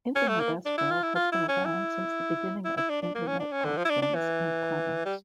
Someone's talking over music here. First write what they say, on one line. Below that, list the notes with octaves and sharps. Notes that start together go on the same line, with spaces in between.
Internet escrow has been around since the beginning of Internet auctions and commerce.
C#4
A3
A#3
D4
E4
F4
E4
F4
E4
C#4
E4
E4
E4
D4
D4
A#3
C#4
D4
C#4
D3
F3
E4
D4
D4
E3
G3